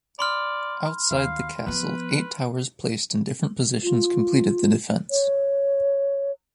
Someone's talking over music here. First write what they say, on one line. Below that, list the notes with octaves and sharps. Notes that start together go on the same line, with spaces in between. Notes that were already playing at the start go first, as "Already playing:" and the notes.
Outside the castle eight towers placed in different positions completed the defence.
D5 B5 C6 F6
D#2 F5
F3 B3 B4
F4
C#5